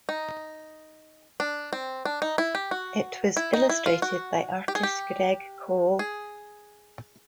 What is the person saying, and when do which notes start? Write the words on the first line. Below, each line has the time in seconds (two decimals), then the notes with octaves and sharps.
It was illustrated by artist Greg Call.
0.09 D#4
1.40 D4
1.73 C4
2.05 D4
2.22 D#4
2.38 E4
2.55 G4
2.71 F#4
3.37 E4
3.53 D#4
3.69 E4
3.86 F4
4.02 F#4
4.68 G4
4.75 G#4
4.83 G4
5.99 G#4